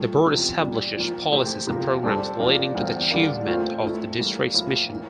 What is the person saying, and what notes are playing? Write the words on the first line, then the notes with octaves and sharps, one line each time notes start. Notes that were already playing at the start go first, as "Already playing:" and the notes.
The Board establishes policies and programs leading to the achievement of the District's mission.
Already playing: G2 F3 A3
E2 C3 F3
A#2 G3 D4
A#2 F3 A#3
C3 E3 A3 C4 G4
C3 F3 A#3
G3 D4 A4 C5
F3 A#3 D4 F4
E2 D3 G3 C4 F4
D3 G3 D4 F4 A#4
A#2 A3 C4 F4
A#2 A3 C4 E4
E3 G3 A#3
A2 F3 A#3 E4
E3 A#3